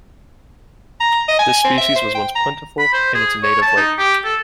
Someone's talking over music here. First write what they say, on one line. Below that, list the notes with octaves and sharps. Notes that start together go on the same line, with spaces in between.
This species was once plentiful in its native lake.
A#5
D#5
G#5
C4
E5
C5
G5
A#5
B5
C5
G#4
C#5
A5
D#4
G4
A4